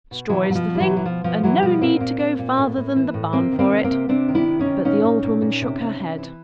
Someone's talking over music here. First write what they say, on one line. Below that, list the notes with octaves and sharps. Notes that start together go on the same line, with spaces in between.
"Straw is the thing, and no need to go farther than the barn for it;" but the old woman shook her head.
B2
B2 E3 F#3
B2 F#3
F3
B2
G3
E3 F#3
B2
E3
B2 F3
B2 F3
B2 E3 F#3
B2 F3 G3
A#2 A#3 C4
A#2
A#2
A#2
A2
A2
E3
A2
C3 A#3 C4
D#3
A#3 C4
C3
A#3 C4
C3
C3 C4 D4
D#3
D4 E4
C3
C#4 D#4
D#3
A#2 C#4 D#4
A#2
A#2
A#2
C3
C3
C3
E3